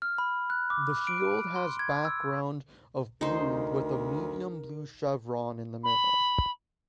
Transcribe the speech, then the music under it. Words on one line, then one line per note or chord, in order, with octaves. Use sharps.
The shield has background of blue with a medium blue chevron in the middle.
F6
B5
F#6
D6
D7
C6
G#6
E6
D2 D#4 A#4 C5
B5